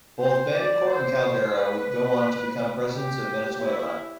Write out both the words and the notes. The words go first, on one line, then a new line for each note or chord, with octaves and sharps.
Both Betancourt and Caldera would go on to become presidents of Venezuela.
C5
D5
C5
B4
G4
E4